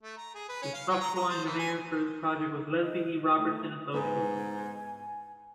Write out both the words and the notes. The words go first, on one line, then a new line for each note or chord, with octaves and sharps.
The structural engineer for this project was Leslie E. Robertson Associates.
A3
A#5
G#4
B4
C#4
F5
F#3
A#5
A#5
C5
E3
G#5
D#5
A3
G#2 B3 B4 G#5